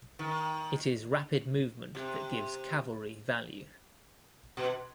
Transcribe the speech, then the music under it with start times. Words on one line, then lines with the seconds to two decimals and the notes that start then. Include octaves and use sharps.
It is rapid movement that gives cavalry value.
0.19 D#3
1.95 C3
4.57 B2